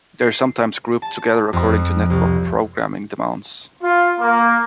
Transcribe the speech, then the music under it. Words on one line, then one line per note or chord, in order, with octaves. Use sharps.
They are sometimes grouped together according to network programming demands.
C7
A5
F2
C2
F4
A#3